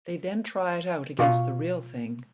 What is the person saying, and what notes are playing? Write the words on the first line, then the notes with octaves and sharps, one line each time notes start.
They then try it out against the real thing.
B2 F4 D5 F5 C#6